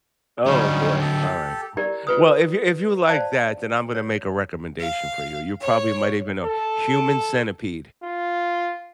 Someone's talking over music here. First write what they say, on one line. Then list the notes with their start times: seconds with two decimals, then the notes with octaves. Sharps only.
Oh, boy. Alright. W Well, if you if you like that, then I'm gonna make a recommendation for you. You probably might even know. Human Centipede.
0.46 D3 F#3 G3 C#4 D#4
1.01 G4 A4
1.77 E4 G4 A#4 D5
2.07 F4 B4 D#6
3.10 C5 D5 F5 A5
3.95 C#5
4.79 F5
5.60 C#5
6.45 A4
8.04 F4